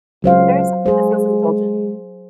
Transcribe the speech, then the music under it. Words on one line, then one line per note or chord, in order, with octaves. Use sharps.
there is something that feels indulgent.
C#2 F#3 C5 F5
G#3 G#4 C5